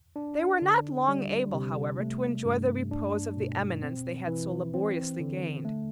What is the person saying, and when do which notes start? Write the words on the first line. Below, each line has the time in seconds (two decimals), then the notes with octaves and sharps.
They were not long able, however, to enjoy the repose of the eminence they had so laboriously gained.
0.16 D4
0.62 D3
1.08 G3
1.54 C3
2.00 A3
2.45 G2
2.91 D4
3.37 B2
3.83 C4
4.27 E3
4.74 C4
5.20 D3
5.65 A3